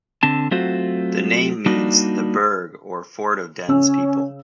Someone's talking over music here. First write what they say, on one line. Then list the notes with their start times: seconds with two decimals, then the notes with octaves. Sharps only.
The name means 'the burgh or fort of Dene's people'.
0.23 D3 C4 A5
0.51 F#3 A3 C4 F4 F#4 C5
1.66 G3 A#3 D4 D#4 F#4
3.69 C#3 C#4 E6